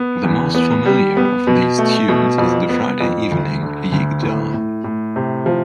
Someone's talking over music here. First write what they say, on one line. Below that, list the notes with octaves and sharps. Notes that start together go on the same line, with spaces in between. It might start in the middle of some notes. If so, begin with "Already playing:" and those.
The most familiar of these tunes is the Friday evening "Yigdal".
Already playing: B3
E2
B3
G3
B3
B2
A3
B2
F2
B3
F2
D2
D3
D2
A2
A2
A2
C3
F3